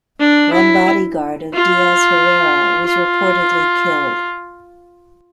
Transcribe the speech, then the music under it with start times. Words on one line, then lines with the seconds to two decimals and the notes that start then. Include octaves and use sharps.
One body guard of Diaz Herrera was reportedly killed.
0.20 D4
0.54 E4
1.54 F4
2.86 F4